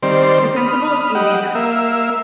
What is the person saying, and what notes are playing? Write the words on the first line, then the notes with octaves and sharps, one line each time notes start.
The principle is easy enough.
D#3 G3 C4 C5 D5
B5 D#6 F6
G4 D#5 F#5
A#3 E5